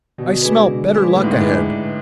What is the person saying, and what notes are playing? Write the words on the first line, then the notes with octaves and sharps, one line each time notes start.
"I smell better luck ahead."
B2 D3
G#3 D4 G#4 B4
D3
G#3 D4 G#4 B4
A2 D3
G#2
A2
G#3 D4 G#4 B4
D3